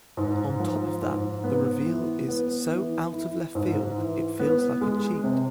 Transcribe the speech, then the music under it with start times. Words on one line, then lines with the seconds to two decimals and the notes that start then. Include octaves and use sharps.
On top of that, the reveal is so out-of-left-field, it feels like a cheat.
0.17 G#2
0.60 F3
1.02 G#2
1.44 B3
1.86 E3
2.28 B3
2.71 E3
3.12 E4
3.55 G#2
3.97 E3
4.39 B3
4.81 G#3
5.24 C3